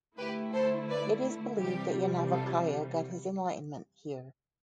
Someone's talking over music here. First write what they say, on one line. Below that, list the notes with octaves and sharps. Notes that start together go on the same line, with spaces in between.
It is believed that Yajnavalkya got his enlightenment here.
D3 A3 E4 G4 B4
A4 C5
B4 D5
C3 E3 G3 G4
F4 A4